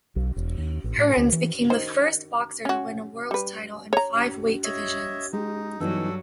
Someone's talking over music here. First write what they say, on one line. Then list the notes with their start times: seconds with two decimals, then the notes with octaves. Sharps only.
Hearns became the first boxer to win a world title in five weight divisions.
0.16 B1
0.36 E1
0.57 D#2
0.84 A1
0.98 A2
1.17 D2
1.32 E3
1.70 D#3 C5
2.65 C#4 F#4
3.31 G3 B4
3.93 C#5 A#5
4.64 C#5 D#5 E5
5.33 G#3 D#4 G4
5.80 G2 E3 F#3 B3 D#4 F#4 A4